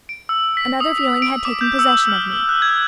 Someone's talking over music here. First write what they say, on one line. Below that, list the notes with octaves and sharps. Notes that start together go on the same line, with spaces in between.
Another feeling had taken possession of me.
D7
E6
B6
D#6
D7
D6
G6
E6
F6
F#6
G#6